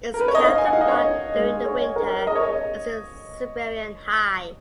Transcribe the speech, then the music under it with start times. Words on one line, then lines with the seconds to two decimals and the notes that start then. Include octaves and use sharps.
Its counterpart during the winter is the Siberian High.
0.14 A#4
0.21 B4
0.28 C#5
0.35 D#5
0.42 D#4 F5
0.58 G#5
0.66 F#5
0.73 D#4 F5
0.81 D#5
0.88 C#5
1.04 D#4
1.34 G#3
1.66 C#5
1.96 A#4
2.27 G#4 D#5
2.35 C#5
2.43 D#5